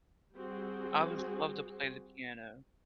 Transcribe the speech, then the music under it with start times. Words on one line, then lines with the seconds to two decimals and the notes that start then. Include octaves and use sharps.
I would love to play the piano.
0.35 G3 C4 F#4 G#4